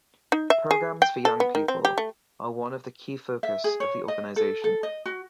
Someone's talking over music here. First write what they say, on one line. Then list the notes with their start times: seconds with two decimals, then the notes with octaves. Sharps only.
Programmes for young people are one of the key focus of the organisation.
0.32 D#4
0.50 E5
0.71 G#4
1.02 G5
1.25 A4
1.40 B3
1.55 D#3
1.68 C4
1.85 G4
1.98 A3
3.43 E5
3.64 G#4
3.80 C#5
4.08 D#5
4.36 A4
4.64 A4
4.83 D#5
5.06 F#4